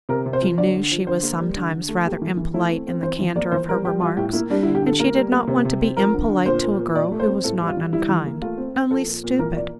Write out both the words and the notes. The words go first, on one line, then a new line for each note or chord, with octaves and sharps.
She knew she was sometimes rather impolite in the candor of her remarks, and she did not want to be impolite to a girl who was not unkind--only stupid.
C3 A#4
C3
C5
F3
D3 D5
D3
F3
D3 C5
A#3
G3
D3
D3
A3
A#3 G4
E3
E3
A3 E4
C4
C4
E3 C5
E3
A#3 D5
E3 C5
G3 A#4
G3 G4
G3 F4
A2 G4
A#3 E4
G3 D4
E4
D3
G4
D3 A4
A#3 A#4
G3
A#3
C3
C3
C4
F3 A#4
D3
D3
A#2 C5
A#2
A#2
A#2 D5
A3
C5
C4
A2 A4
G3
F4
E3
G3 E4
E3
A#3
A3 F4
C4
C4
F3 A4
A#2
A#2
E3 A#4
A#3 D5